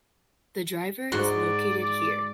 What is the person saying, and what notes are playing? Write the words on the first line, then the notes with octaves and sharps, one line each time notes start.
The driver is located here.
G#2 F#4 D5 C6